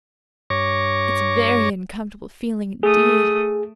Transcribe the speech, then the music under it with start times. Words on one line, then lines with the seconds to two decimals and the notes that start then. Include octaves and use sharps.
It's very uncomfortable feeling indeed.
0.50 G2 C#5 C#6 D6 A#6
2.83 A3 G#4 D#6